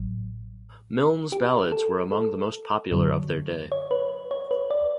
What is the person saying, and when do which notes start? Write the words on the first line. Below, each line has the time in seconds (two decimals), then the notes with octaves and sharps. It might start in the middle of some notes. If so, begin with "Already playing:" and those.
Milnes' ballads were among the most popular of their day.
Already playing: A1 A2 F#3
1.32 G4
1.72 A4
2.12 A4
2.92 F#2 D3 F#3
3.72 C#5
3.91 B4
4.31 C#5
4.51 B4
4.71 D5